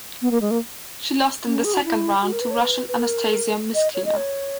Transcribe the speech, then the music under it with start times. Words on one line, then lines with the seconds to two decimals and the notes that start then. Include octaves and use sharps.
She lost in the second round to Russian Anastasia Myskina.
0.22 B3
0.31 A#3
0.41 G#3
0.51 A#3
1.46 C#4
1.64 G#4
1.74 F#4
1.84 E4
2.22 F#4
2.32 A#4
2.41 B4
2.51 C#5
2.61 B4
2.88 B4
2.99 A#4
3.75 D#5
3.94 C#5
4.05 D#5
4.16 C#5